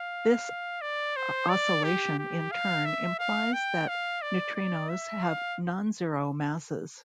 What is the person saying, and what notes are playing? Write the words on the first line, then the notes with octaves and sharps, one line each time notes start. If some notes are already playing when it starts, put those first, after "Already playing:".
This oscillation in turn implies that neutrinos have non-zero masses.
Already playing: F5
D5
C5
D5
G4
G4
F5
E5
F5
G5
F5
D5
D5
E5
F5